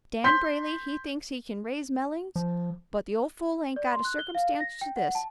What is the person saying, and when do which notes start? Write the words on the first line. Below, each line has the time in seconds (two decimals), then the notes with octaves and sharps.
Dan Brayley he thinks he kin raise mellings, but the ol' fool ain't got a circumstance to this.
0.24 C6 G6 B6
2.36 F3
3.76 D5
3.92 C6
4.05 F#6
4.19 G7
4.35 F5
4.60 A#6
4.81 G5
4.96 F#5
5.15 A5